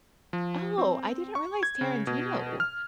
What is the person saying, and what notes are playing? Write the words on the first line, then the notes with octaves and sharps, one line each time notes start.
Oh, I didn't realize Tarantino,
F3
C4
C#6
G#6
C#3
B2
F6